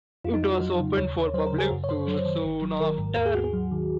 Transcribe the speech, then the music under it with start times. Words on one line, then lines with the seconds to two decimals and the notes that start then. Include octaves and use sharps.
It was opened for public tours soon after.
0.24 F2 F4
0.34 D#4
0.43 F2 F4
0.52 F#4
0.61 F#3
0.80 C#3
0.97 D#2 C#5
1.16 D#2
1.34 F#3 C5
1.46 A#4
1.52 C#3
1.58 G#4
1.71 F#2 F#4
1.84 C#5
1.89 F#2 C5
2.07 F#3
2.25 D#3
2.43 G#1
2.62 F#3
2.80 D#3 A#4
2.98 G#2
3.16 D#2 A#4
3.26 G#4
3.35 D#2 F#4
3.44 G#4
3.53 F#3
3.71 D#3